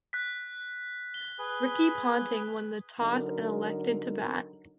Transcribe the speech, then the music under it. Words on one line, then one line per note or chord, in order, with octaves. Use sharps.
Ricky Ponting won the toss and elected to bat.
F#6 B6
G7
G#4 B4
D3 F#3 D#4 A#4